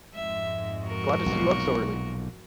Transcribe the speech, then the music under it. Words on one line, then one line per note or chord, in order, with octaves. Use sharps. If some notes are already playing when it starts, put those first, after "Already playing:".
Glad to see you up so early.
F2 G#2 G#3 E5
F#4 A#4
B1 A#2